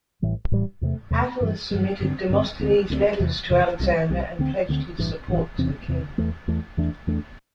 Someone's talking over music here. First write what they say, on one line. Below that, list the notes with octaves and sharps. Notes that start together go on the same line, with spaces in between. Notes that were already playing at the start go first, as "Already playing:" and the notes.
Attalus submitted Demosthenes' letters to Alexander and pledged his support to the king.
A1 A2 E3 G3
A1 A2 E3 G3
E2 C3 A3
E2 C3 A3
G2 E3 G3
G2 E3 G3
G2 D3 C4
G2 D3 C4
D2 D3 C4
D2 D3 C4
E2 C3 E3
E2 C3 E3
C2 C3 G3
C2 C3 G3
D2 D3 C4
D2 D3 C4
A1 G2 E3
A1 G2 E3
E2 C3 E3 C4
E2 C3 E3 C4
E2 E3 A3
E2 E3 A3
E2 E3 A3 D4
E2 E3 A3 D4